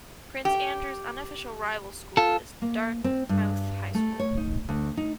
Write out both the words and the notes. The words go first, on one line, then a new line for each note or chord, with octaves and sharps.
Prince Andrew's unofficial rival school is Dartmouth High School.
G4
F4 A4
A#3
C4
G2
A3
C#5
D#4
D2
D#4